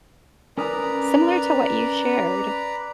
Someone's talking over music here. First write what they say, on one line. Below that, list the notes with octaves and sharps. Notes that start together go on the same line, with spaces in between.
Similar to what you shared
C#4 A#4 B4 D5 A#5 D#6